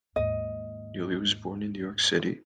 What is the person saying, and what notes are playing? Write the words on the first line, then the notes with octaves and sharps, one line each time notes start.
Newley was born in New York City.
D#2 G#2 D#5